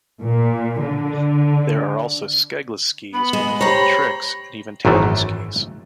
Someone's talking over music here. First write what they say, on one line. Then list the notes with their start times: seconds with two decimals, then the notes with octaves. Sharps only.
There are also skegless skis for performing tricks, and even tandem skis.
0.21 A#2
0.82 D3
3.13 B3 B5
3.33 G#3
3.61 G4 C5 C#5 A#5
3.77 B5
4.85 G#1 F#2 D#3 E3 A3